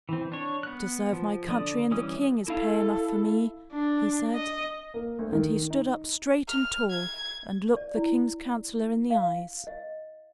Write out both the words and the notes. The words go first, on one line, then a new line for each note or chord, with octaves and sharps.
"To serve my country and the king is pay enough for me," he said; and he stood up straight and tall and looked the king's counselor in the eyes.
E3 C4
D4 C#5
B3 F#6
F3
D3 D5 D#6
E3 G3 C#4 D#6
E4 A4 F5
D4
D#5
A#3
D2
D#3
D#4
F6
G#6
D5
E4
F5
D#5